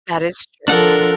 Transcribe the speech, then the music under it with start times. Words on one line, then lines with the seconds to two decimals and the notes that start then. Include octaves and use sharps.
That is true.
0.68 F3 D4 A4 A#4 F#5